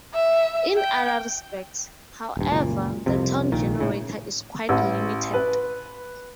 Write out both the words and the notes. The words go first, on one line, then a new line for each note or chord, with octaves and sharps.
In other respects, however, the tone generator is quite limited.
E5
G5
D#1 G2
F#1 C#2 A#2
C2 F2 C3
A#1 A#2 D#3
A2 C#3
A1
B4